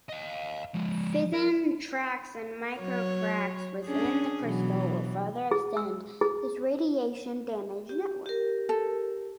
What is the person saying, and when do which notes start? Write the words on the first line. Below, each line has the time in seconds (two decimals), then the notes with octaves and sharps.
Fission tracks and micro-cracks within the crystal will further extend this radiation damage network.
0.10 D#5 F5
0.74 F3 G#3
1.33 A#4
2.80 F#3 C#5
3.86 C#4 D4 G#4
4.43 B2 E3 F#3
5.51 G#4
5.77 E6
6.21 G#4
7.89 G4
8.26 G4 A#4
8.69 A4